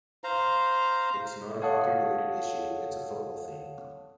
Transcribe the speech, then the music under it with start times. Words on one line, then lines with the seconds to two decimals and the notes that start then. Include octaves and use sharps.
It's not a hockey-related issue, it's a football thing.
0.24 C5 F5 A#5
1.61 A4 C#5 F5 F#5 A5 D#6